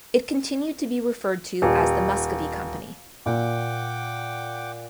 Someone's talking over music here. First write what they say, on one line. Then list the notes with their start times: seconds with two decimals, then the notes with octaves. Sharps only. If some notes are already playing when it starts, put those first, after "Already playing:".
It continued to be referred to as the Muscovy Company.
1.62 D#1
3.26 A#2 F#5 G5 D6